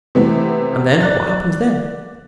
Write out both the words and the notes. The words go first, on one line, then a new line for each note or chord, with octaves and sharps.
"And then? What happens then?"
C3 E3 A3 B3 C4 E4
D5 F#6 A6